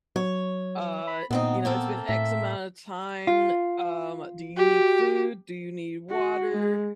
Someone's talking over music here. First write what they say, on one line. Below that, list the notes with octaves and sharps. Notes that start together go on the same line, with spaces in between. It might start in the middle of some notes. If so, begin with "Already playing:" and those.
uh, "You know, it's been X amount of time, um, do you need food? Do you need water,
F#3 C#5
B5
D2 A#2 B3 C4 D#4
A#3 C4 A4
A2 E5
F4
F#4 G4
F#4
G#3